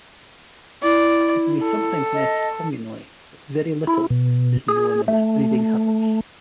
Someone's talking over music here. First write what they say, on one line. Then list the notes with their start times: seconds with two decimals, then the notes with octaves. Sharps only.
It may sometimes nest communally, but very little is known of its breeding habits.
0.83 E4 D5
1.63 A4
2.14 D#5
3.87 E4
4.10 B2
4.69 G#4
5.08 A3